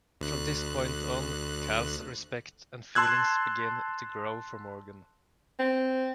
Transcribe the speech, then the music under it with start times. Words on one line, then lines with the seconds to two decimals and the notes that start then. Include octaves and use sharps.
From this point on Cal's respect and feelings begin to grow for Morgan.
0.21 D2 F#6
2.95 A5 C6 E6 F#6 G#6
5.59 C4